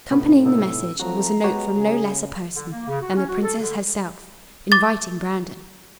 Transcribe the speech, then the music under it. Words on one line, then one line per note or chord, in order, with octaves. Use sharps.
Accompanying the message was a note from no less a person than the princess herself, inviting Brandon.
A2 C3 B3 B5
C3 B3 D#4 E6
F3 F#3 A3 C4 F#4 A#5
G#3 B3 F#4 G4 C#5
C#3 G#4
D3
A#3
C#3
F#4
C#4
F#4
A4
D3
D6 A6